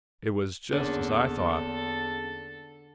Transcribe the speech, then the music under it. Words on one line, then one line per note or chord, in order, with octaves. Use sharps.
It was just as I thought.
E2 D3 A#3 C#4 A4